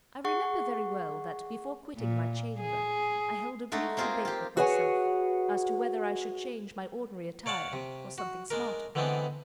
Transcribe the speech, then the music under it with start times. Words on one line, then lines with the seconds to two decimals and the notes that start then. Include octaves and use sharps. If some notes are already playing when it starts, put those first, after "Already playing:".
I remember very well that before quitting my chamber, I held a brief debate with myself as to whether I should change my ordinary attire for something smarter.
0.24 G#4 F#5 C#6
1.97 A#2
2.61 G#4
3.72 G#3 A3 D#4 F#4 A4
3.97 A#3 C4 F4 G4 G#4
4.25 F4 G4
4.57 F#4 G#4 B4 C#5 F#5 G#5
7.46 C#5 D5 F5 F#5 A5
7.73 C3
8.18 F#4
8.51 G#3 D4 A#4
8.95 D3 E3 G#3 B3 C4 D4